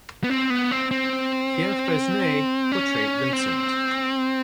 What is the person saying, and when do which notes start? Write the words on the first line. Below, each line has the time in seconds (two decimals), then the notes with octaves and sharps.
Pierre Fresnay portrayed Vincent.
0.24 B3
0.30 C4
0.50 B3
0.71 C4
0.91 C4
2.72 C#4
3.33 C4